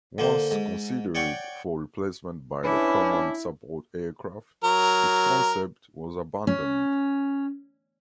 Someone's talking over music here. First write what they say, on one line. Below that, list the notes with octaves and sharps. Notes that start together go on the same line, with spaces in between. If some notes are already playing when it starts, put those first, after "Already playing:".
Once considered for replacement by the "Common Support Aircraft", this concept was abandoned.
D3 A#3 C5
G#2
C#5 D5 F#5 G5 C#6
C#4 D4 E4 B4
F#3 A#4
C#4